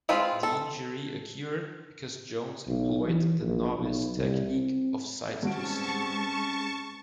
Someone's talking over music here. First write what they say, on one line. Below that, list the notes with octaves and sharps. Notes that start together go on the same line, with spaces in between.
The injury occurred because Jones employed the novice technique of side twisting.
G#3 C4 F4 B4
A4
B1
E3
A#1
B1
C2
C4
G2 G#3 C4 C#4 F#4 A5 C#6 D7